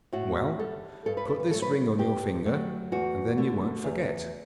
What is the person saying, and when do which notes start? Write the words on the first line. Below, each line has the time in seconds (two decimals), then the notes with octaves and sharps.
'Well, put this ring on your finger, and then you won't forget.'
0.13 A2 F#4
0.59 G3 A4
1.06 G2 A4
1.17 B4
1.28 A4
1.40 B4
1.51 F#3 A3 A4
1.62 B4
1.74 A4
1.98 G2 G4
2.45 F#3 A3
2.92 E2 F#4
3.37 D3 A3
3.84 E2